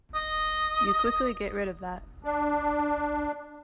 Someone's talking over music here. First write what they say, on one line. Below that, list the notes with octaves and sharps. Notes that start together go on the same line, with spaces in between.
You quickly get rid of that.
D#5
D4